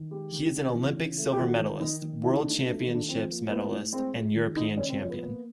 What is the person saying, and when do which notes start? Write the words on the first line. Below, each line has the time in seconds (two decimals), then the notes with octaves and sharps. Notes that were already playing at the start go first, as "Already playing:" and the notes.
He is an Olympic silver medalist, World Championships medalist, and European Champion.
Already playing: D#3
0.11 G#3 G4
0.32 D#3
0.54 C#3
0.74 E3
0.96 C#3
1.17 A3
1.32 G4
1.38 D#3 F#4
1.59 D#3
1.80 D#3 D#4
2.02 D#3
2.23 A3 E4
2.32 D#4
2.41 D4
2.45 A3 D#4
2.66 A3 D4
2.80 D#4
2.87 D#3
2.94 D4
3.08 F3 C4
3.29 A#3
3.50 A2 B3
3.71 A2
3.92 G#3 C4
4.14 G#3
4.35 D#3
4.56 G#3 D#4
4.77 C#3 C#4
4.89 C4
4.99 F3 C#4
5.09 B3
5.20 A#3